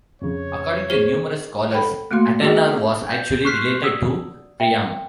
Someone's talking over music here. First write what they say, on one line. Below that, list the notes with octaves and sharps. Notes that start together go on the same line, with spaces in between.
According to numerous scholars, Antenor was actually related to Priam.
F2 C#3 C#5
G#4 C5
A4 F#5 G5 B5
A3 A#3 F#4 F5 C6
G#3 D4 F#4 G#4 D#5
G6
C6 C#6 F6 F#6 B6 C7
D5 F#5 D#6 E6
E5 G5